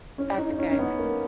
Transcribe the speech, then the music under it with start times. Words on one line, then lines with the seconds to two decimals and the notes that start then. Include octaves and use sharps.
That's good.
0.18 C#4
0.38 D#4
0.51 D#4
0.58 C#4
0.71 C#4
0.79 B3
0.99 A#3